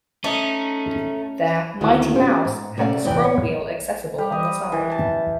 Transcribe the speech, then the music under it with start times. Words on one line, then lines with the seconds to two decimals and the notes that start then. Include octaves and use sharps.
Their "Mighty Mouse" had the scroll wheel accessible on the side.
0.24 A3 C#4 D#4
1.81 D2 D#3 E4 F#4
2.14 C#4 F4 G4 C5
2.45 G#2
2.77 C3 A3 C#4 C5 D5 F5
3.04 G#2 C3 E3 B4 D5 G5
3.23 C#5
4.18 G3
4.32 D#5
4.72 E3
4.91 A5